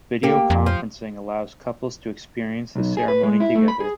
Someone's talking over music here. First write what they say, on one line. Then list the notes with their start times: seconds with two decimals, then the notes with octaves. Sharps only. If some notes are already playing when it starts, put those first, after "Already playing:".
Video conferencing allows couples to experience the ceremony together.
0.23 A#3 G4
0.50 F2
0.66 F3
2.75 B1
2.97 G#4
3.08 B4
3.23 G#3
3.40 E4
3.55 A3
3.68 B5
3.80 G#4